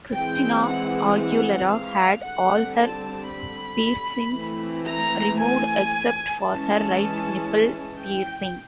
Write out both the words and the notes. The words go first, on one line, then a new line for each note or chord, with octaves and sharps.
Christina Aguilera had all her piercings removed except for her right nipple piercing.
E3 G#3 C4 G5
F#5
F#5
F5
D3 G3 C4 F#5
A5
B5
E3 A3 C4
A#5
G#5
E3 G#3 C#4 A5
G5